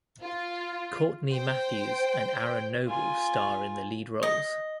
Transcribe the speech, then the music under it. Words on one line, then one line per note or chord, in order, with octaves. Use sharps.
Courtney Mathews and Aaron Noble star in the lead roles.
F4
C5 G5
F4 G#5
D#5